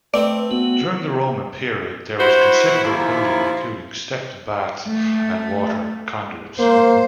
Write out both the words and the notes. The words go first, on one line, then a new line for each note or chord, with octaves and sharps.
During the Roman period there was considerable building, including stepped baths and water conduits.
A3 C4 B4 D5
B3 F#4
E4 F#4 C5
D#2 F3 E4
A3
A#3 C5